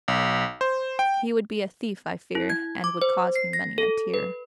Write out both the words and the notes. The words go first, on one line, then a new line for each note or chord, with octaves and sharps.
He would be a thief, I fear, And would cause me many a tear.
B1
C5
G5
E4
G#6
D6
C5
C7
A#6
A4
B4